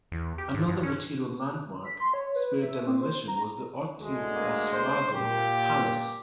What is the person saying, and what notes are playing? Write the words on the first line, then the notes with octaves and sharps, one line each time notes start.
Another Retiro landmark spared demolition was the Ortiz Basualdo Palace.
E2
G4
G#2
G2
C#4
B6
C6
C#5
B4
E5
C4
C5
A#5
D2 D3 G#3
A#3
C5
A#2 G4